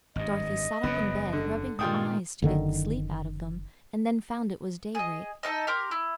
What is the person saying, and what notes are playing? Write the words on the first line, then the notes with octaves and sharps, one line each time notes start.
Dorothy sat up in bed, rubbing her eyes to get the sleep out of them, and then found it was daybreak.
G#1 G2 D#5
F#1 E2 C#3 B3
D3
G2 A#2 D#3 G#3 F4 G5 D#6
F#1 D3 D#3
G#4 D#5
D#4 A4 A#4 D#5
G4 A#4 C6
E4